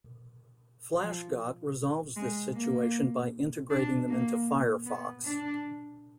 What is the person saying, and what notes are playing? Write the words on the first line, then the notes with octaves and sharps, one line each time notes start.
FlashGot resolves this situation by integrating them into Firefox.
F3
G#3
A#3
D4
A#3
B3
D4